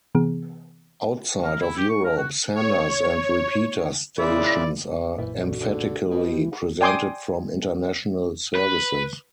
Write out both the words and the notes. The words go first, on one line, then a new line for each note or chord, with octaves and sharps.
Outside of Europe senders and repeater stations are emphatically presented from international services.
C3 E3 B3 G#4
A#4
E4
G4
C#6
A#4
F#4
C#5
A#2 C#3 E4 D5 E5
B1 F#2 A#2 E3
D3 F#4
D3
B2 D#5
E3 G4
D5 G5 G#5 C6 D6 D#6
B4